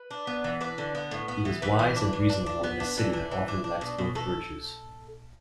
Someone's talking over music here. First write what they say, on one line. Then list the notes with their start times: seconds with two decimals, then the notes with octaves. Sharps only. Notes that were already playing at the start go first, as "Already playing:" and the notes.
He was wise and reasonable in a city that often lacks both virtues.
Already playing: B4
0.11 D4
0.27 B3
0.44 E3
0.61 D4 B4
0.78 D3
0.95 B3
1.11 A2
1.28 B3
1.45 E3
1.62 E3 B4
1.79 E3
1.96 D4
2.13 E3
2.29 D4
2.46 D4
2.63 B3 B4
2.80 D4
2.98 E3
3.13 D4
3.31 E3
3.48 D4
3.64 D4
3.81 B2
3.98 B2
4.15 B2 A4